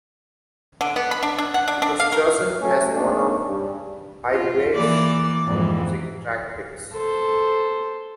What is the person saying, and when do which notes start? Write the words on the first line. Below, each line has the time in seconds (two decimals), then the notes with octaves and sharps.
It was chosen as one of "By the Way"'s "Allmusic Track Picks".
0.81 D3
0.96 B3
1.11 B5
1.23 D4
1.38 D4
1.54 F#5
1.68 D4
1.82 D4
2.00 F5
2.12 A#4
2.61 F#3 A3 C#4
2.94 G#3 A#3 C4 D4 D#4 G#4
3.48 G2
4.31 F4
4.74 E3 A#3 D5
5.47 F2 G#2 E3
6.94 A4 C5